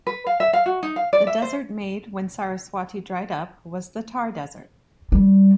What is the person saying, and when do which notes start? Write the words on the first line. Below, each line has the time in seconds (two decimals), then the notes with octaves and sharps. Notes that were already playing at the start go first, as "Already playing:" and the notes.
The desert made when Saraswati dried up was the Thar desert.
0.07 B4
0.27 F5
0.40 E5
0.53 F5
0.66 F#4
0.83 D#4
0.96 F5
1.13 D5
1.27 E5
1.42 C5
5.12 G3